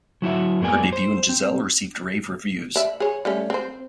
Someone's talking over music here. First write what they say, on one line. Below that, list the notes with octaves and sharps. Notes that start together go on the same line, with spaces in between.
Her debut in "Giselle" received rave reviews.
F#3 E4 F#4 E5
F#2 G#3 A#3 B3 D5 G#5
C5
C4
D5 E5
G#4 C#5
G3 A3 C#4
C4 C5